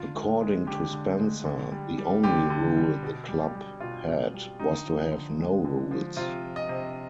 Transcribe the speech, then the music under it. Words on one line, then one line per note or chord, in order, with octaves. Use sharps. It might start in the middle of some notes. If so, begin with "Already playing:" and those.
According to Spencer, the only rule the club had was to have no rules.
Already playing: D3 F4
G#3
G#3
D3 G4
D3
G#3
D3
G3
G3
D3 G4
D3
G3
B2
G3
G3
B2 F4
B2
G3
D3 D#4
F3
D3
G#3
D3
F3
C3 F4
F3
D#5
C3